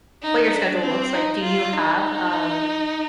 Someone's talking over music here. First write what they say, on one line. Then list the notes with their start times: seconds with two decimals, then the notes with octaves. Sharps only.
what your schedule looks like. Do you have, um,
0.22 D#4
0.53 D4
0.83 C4
1.13 D#4
1.43 F4
1.73 D#4